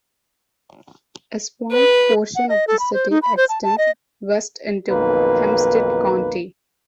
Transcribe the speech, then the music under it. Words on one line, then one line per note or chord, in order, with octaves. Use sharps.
A small portion of the city extends west into Hempstead County.
B4
F#5
D#5
A4
B5
C5
D#4
B5
C5
A5
A5
D#5
B1 F2 D#3 A#3 B4